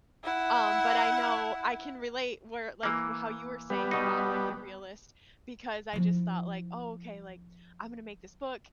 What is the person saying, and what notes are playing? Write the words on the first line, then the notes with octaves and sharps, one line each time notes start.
Um, but I know I can relate where like y w how you were saying about like the realist because I just thought, like, "Oh, okay, like, I'm gonna make this book
E4 F#5
E3 A#3
G3 B3
B2 D#4
F3 E4